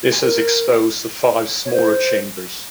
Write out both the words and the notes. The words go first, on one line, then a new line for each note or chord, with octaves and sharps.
This has exposed the five smaller chambers.
A#4
C#5
C5